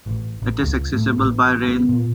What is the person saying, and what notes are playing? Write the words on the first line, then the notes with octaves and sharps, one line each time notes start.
It is accessible by rail.
A1
A1
C#2
A2
A1
B3
A#2